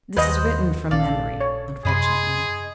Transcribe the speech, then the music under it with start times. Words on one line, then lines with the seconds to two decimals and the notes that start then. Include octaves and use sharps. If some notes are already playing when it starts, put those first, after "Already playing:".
This is written from memory, unfortunately.
0.17 D#2 B4 C5 D#5 F#5
0.91 A#1 C#4 A4 D5 F5
1.41 C#5
1.85 F#2 C3 G#4 D#5 B5 C6